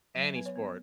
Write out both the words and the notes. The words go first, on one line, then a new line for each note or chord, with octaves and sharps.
Any sport.
F#3 E5
B3 B4
C#5
B3